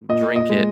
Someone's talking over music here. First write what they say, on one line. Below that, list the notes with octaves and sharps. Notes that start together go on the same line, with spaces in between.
drink it,
A#2 D#5
D#5
G#3